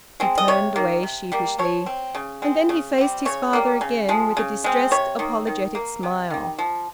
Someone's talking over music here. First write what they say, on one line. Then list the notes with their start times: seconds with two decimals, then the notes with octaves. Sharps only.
He turned away sheepishly, and then he faced his father again, with a distressed, apologetic smile.
0.20 G#3 C4
0.38 D#5
0.48 C3 C#5
0.76 D#3 A#3
1.03 C3
1.32 G3 A#3
1.59 F3 C#5
1.86 C4
2.15 C#3
2.42 G#3 C4
2.69 C#3
2.98 G3 C4
3.25 C#3 C#5
3.53 G3 A#3
3.81 C#3
4.09 F3 G#3
4.37 C#3
4.64 G#3 C4
4.91 C3 C#5
5.19 D#3 A#3
5.47 D#3
5.75 A#3
6.03 C3
6.30 D#3 G3
6.59 F3